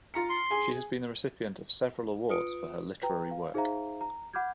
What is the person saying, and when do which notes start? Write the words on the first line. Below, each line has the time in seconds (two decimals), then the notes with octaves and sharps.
She has been the recipient of several awards for her literary work.
0.14 F4 A#5 C#7
0.30 C6
0.50 G#4 G#5
2.29 F4 B4 D#6 C#7 D7
3.03 B4 G5 A#5
3.31 F5
3.54 D#4 G#4 C5 E5 F5 A#5
4.01 A#5
4.33 F#5 B5 D6 F6 G6 G#6